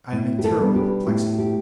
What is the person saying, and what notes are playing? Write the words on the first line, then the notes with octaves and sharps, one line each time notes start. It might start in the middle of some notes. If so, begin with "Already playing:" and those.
I am in terrible perplexity.
A2
G4
A4
G3 B3 D4
G4
A2 G4
G4